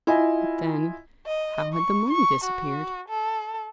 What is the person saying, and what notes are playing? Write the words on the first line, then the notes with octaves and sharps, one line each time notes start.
But then--how had the money disappeared?
E4 F4 D#5 G#5
D#5
C#6
C#6
F#4
A4